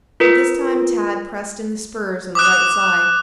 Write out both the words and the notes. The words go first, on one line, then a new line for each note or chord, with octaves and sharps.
But this time Tad pressed in the spurs on the right side.
F4 A#4 B4
D6 D#6 F#6